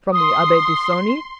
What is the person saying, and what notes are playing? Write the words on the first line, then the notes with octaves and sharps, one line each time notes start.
"From the Abbe Busoni?"
C6 D#6